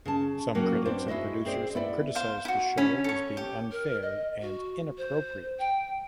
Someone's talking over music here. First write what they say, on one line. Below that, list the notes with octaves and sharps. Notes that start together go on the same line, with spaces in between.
Some critics and producers have criticized the show as being unfair and inappropriate.
C#3 G#4 A5
C#3 F#3 A#3 F#4 G5
B3 C4 D4 C5
G#3 E4 F#4 D#5
C4 G#4 C5 D5
B3 E4 D5
C5 F5
E4 F#4
C#4 B5
A4 C#5
G4
A#4
D#5
F#4
C5
G5